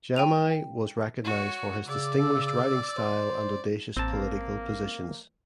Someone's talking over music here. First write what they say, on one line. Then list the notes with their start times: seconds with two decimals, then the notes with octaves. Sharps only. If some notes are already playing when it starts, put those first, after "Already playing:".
Jamai was recognized for his distinguished writing style and audacious political positions.
0.16 G5 D#7 F7
1.24 F#4 C#5
1.86 C#3 D5 D6 E6
2.97 C5
3.97 A1 A#3 C4 A5